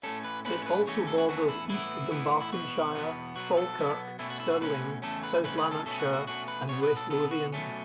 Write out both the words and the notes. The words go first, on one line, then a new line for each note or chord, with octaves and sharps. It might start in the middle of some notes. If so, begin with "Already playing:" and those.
It also borders East Dunbartonshire, Falkirk, Stirling, South Lanarkshire and West Lothian.
A2 A3 C#4 A4
B4
A2 A3 C#4 B4
B4
E2 E3 A3 C#4 C#5
A4
F#4
E2 E3 A3 C#4 F#4
E4
A2 E3 B3 E4
A2 E3 B3
E4
E2 B2 B3 F#4
E2 B2 B3
B2 F#3 B3 F#4
A4
B2 F#3 B3
B2 A3 C#4 E4
F#4
E4
F#4
B2 A3 C#4 B4
E2 C#3 A3 C#4 A4
B4
E2 C#3 A3 C#4 B4
B4
A4
B2 A3 C#4 A4
F#4
F#4
B2 A3 C#4 F#4
B4
B2 B3 C#5
B4
A4
B2 B3 A4
F#4
B2 F#3 A3 C#4